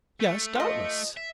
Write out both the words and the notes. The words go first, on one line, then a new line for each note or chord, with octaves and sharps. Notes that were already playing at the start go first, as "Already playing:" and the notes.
"Yes, doubtless."
A3
F3 D#5
E5